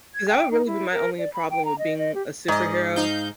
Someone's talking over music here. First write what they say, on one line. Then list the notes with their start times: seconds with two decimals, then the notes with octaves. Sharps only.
'Cause that would really be my only problem with being a superhero
0.14 G#6
0.29 G5
0.51 D#4
0.66 E4
0.92 A#4
1.18 D5
1.34 B5
1.50 G5
1.65 A#5
1.79 D#5
1.98 D#5
2.15 G4
2.48 G#2 D5 D#5
2.96 D#4 F5 G6